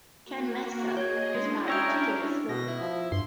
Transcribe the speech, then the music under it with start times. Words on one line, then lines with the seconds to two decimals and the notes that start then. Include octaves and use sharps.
Ken Messer was married to Dilys Lloyd.
0.24 A#3 F#4
0.97 G#4 C#5 D#5 G#6
1.35 G#3 C#4 D4 E4
1.68 A#4 C#5 D#5 G5 E6 G6
2.49 B2 A#6
2.68 E4
2.81 F3
3.12 G2 C6